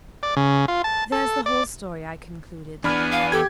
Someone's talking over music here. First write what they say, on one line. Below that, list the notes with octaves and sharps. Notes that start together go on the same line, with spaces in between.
"There's the whole story," I concluded.
D5
C#3
F4
A5
A4
D5
E2 B3 D4 G#5 B5 F6
F5
G4 A4 G#6